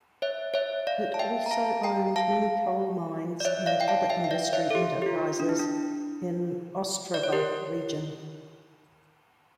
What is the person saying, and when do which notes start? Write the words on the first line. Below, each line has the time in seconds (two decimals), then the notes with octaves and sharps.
It also owned many coal mines and other industry enterprises in Ostrava region.
0.22 C#5 E5
0.54 C#5 E5
0.87 D5 F5
1.14 A5
1.19 E5 G5
1.46 A#5
1.51 F5 A5
1.83 G5 A#5
2.16 F5 A5
3.40 D5
3.45 C#5 E5
3.66 D5 F5
3.81 G5
3.88 F5 A5
4.10 E5 G5
4.24 G5
4.31 D5 F5
4.53 C#5 E5
4.70 A4
4.75 G4
5.02 G4
5.06 F4
5.40 D4
5.49 E4
5.59 D4
7.14 D5
7.23 C#5
7.32 G4 A#4